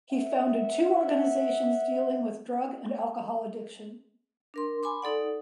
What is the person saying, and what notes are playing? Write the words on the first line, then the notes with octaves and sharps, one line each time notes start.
He founded two organizations dealing with drug and alcohol addiction.
C5 E5 F#5
D4 A#4 C6
G#5 B5 C6 D6
D#4 A4 D5 F#5